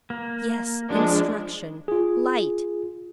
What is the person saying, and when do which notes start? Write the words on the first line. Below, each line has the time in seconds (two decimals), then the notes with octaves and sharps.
Yes, instruction! light!
0.10 A#3
0.90 F3 G#3 D4
1.88 F4 G#4